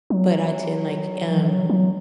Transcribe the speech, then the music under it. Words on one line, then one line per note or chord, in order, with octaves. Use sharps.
But I tend like um,
F#3
E3
F#3
F#3